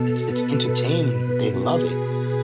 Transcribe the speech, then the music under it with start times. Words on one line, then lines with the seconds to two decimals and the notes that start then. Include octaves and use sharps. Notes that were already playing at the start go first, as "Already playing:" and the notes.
It's it's entertaining that they love it.
Already playing: B2 A4
0.24 B4
0.70 B2
1.62 G#4